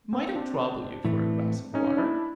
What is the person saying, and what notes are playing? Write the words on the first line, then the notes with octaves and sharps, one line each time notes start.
"Might I trouble you for a glass of water?"
A#3 C4
C4 D4
A2 E3 A3
C#4 D#4
D4 E4